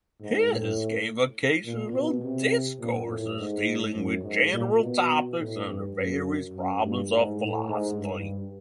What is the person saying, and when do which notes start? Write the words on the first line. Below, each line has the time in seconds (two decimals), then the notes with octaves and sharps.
His gave occasional discourses, dealing with general topics and various problems of philosophy.
0.21 G#2
0.49 A2
1.64 A#2
1.93 B2
2.22 C3
2.79 A#2
3.08 A2
3.37 G#2
3.94 F#2
4.22 G#2
4.52 A#2
4.80 B2
5.37 A2
5.66 G2
5.95 F#2
6.52 F#2
6.81 G2
7.10 G#2
7.39 A2
7.68 G#2
7.96 G2